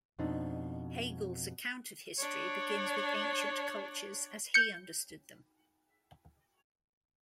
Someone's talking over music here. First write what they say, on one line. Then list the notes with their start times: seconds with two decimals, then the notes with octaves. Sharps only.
Hegel's account of history begins with ancient cultures as he understood them.
0.19 F2 B2 C4 D4 D#4
2.18 D4 C#5
4.54 G6 C#7